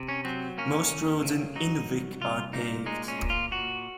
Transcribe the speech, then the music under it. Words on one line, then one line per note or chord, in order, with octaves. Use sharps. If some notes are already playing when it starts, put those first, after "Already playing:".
Most roads in Inuvik are paved.
Already playing: C3
C#4
F#3 C4
A#3 C#4
D#2
C#3
F#3 D#4
C2
C2 F4
A#2 D#4
G#3 D#4
C#4
A#2
F4
A#2 F#4